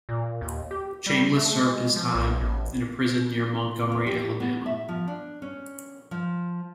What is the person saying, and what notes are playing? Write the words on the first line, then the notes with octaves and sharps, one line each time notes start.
Chambliss served his time in a prison near Montgomery, Alabama.
A#2
D#2
G4
G3
A3
G#3
F3
B1
A1
E2
G4
B3
E5
F3
D4
C#4
F3